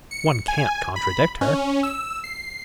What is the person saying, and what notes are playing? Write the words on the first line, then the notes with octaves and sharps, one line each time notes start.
One can't contradict her.
C#7
G#5
B5
C#4
E6
C7